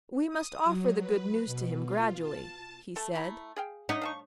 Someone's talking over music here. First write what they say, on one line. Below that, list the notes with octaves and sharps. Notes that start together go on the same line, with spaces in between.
"We must offer the good news to him gradually," he said.
D#6
F#3
B4
B2
F4
A5
A3 A4 A5
A3 E4 A#5
G#4 F5 G5
D#4 C#5 E5 F#5
F5 A5 C#6